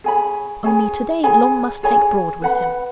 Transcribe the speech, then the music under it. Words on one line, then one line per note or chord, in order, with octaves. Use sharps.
Only to-day, Long must take Broad with him.
G#4 C#5 G#5 B5
G#4 C#5 G#5 B5
G#4 C#5 G#5 B5
G#4 C#5 G#5 B5
B4 F#5 B5